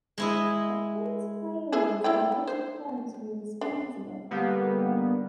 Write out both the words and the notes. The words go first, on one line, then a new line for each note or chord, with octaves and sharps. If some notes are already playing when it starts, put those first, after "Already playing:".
A points failure was later found to be responsible.
G#3 E4 D#5
E4 G#4 A5
E4 D5 G5
C5
D4
D3 G3 A#3 B3 D#4